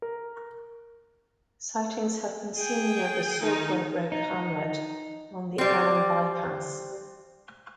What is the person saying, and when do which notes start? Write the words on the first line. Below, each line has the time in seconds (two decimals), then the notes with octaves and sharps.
Sightings have been seen near the Swordwellrigg hamlet on the Annan bypass.
0.02 A#4
2.56 G#4 G5
3.42 D#3 D#4
4.12 D#4
5.58 G3 C4